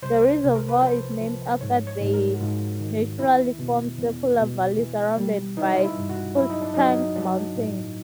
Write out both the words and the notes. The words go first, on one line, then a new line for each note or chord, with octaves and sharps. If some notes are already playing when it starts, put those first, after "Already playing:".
The reservoir is named after the naturally formed circular valley surrounded by Cushetunk Mountain.
C2 C5
C3
A#4
B4
F3 C5
F3
G#2 C#5
C#5
G#2
A#4
F#4
G#2 F4
D#3
E2 E4
B2
E2
B2
E3
G3
E3 D#4
F4
E4
G2
F#4
F#3 E4
D#4
D4
F#3 D#4
F#3 D4
A2